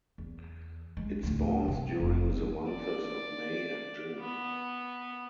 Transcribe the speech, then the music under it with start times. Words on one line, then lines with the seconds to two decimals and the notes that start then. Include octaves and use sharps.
It spawns during the months of May and June.
0.18 E2
0.97 G#3
1.23 D2 A2
1.68 G2 C3
2.00 F1
2.30 G3
2.69 D5
4.19 B3